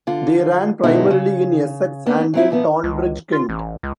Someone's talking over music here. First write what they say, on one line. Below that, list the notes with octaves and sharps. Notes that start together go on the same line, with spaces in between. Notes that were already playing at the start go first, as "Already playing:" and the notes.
They ran primarily in Essex and in Tonbridge, Kent.
D3 F4
G2 B2 D3 G#3 D#4 E4
C#3
A#3 B3 D4
F#3 C4 E4
A#2 F3 B3
C#2
F4
A1
C#2